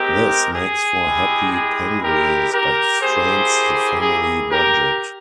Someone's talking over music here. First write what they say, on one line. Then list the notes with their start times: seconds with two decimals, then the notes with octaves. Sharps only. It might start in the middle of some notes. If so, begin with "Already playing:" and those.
This makes for happy penguins, but strains the family budget.
Already playing: G#3 C4 G4 A#4
0.54 G#4
1.03 G#3 E4 G4
1.53 G#4
2.02 G4 A#4
2.52 G4 A#4
3.01 A#3 E4 G4 G#4 C5
4.01 G#4
4.51 G4 A#4